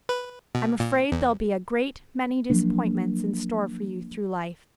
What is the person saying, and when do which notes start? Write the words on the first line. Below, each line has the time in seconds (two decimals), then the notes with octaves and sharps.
"I'm afraid there'll be a great many disappointments in store for you through life."
0.09 B4
0.55 B2
0.80 A#2
1.12 E2
2.50 F3 F#3 A#3 D4